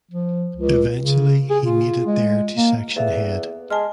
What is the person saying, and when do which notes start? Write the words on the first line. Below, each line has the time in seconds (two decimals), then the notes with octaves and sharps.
Eventually he made it there to section head.
0.11 F3
0.56 C#2
0.98 C#3
1.50 G#4
1.64 F4
2.06 G#3
2.55 A#3
2.96 E2 A4 E5 F5
3.70 G#3 G#5 A5 F6